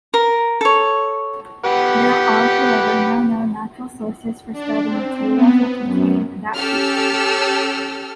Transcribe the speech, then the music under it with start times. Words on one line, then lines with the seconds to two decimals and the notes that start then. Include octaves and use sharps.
There are however no known natural sources for starting materials that contain that feature.
0.14 A#4
0.61 A4 C#5
1.64 G4 B4 F#5
4.52 D4
4.85 C4
5.35 B3
5.85 F#2
6.55 C#4 G4 A4 E6 F6